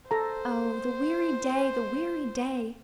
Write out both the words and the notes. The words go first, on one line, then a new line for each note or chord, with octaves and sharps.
Oh, the weary day! the weary day!
A4 C5 A#5